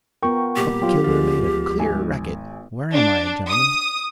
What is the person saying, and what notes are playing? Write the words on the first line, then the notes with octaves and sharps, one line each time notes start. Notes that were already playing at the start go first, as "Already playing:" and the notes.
"Buck-killer made a clear racket. Where am I, gentlemen?"
B3 F4 A#4 G5 C#6
A#2 G3 G4
F#3 B3 F4 G5
D2 F3 G#3 F4
G#1 G#5
D4
D#6